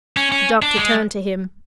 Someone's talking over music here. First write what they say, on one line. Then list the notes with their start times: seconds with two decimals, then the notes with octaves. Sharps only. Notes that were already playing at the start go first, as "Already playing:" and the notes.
The Doctor turned to him.
0.17 C#4
0.32 C#4
0.62 D4
0.77 G#3